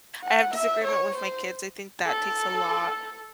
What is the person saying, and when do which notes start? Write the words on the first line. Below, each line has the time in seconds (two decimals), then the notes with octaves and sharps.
I have disagreement with my kids, I think that takes a lot,
0.24 F#5
0.54 E5
0.84 C#5
1.15 C5
2.06 A4